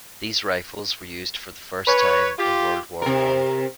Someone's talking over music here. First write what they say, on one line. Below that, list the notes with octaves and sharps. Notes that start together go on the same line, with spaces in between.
These rifles were used for the first time in World War One.
B4 C#5
F4 G4
C3 A#4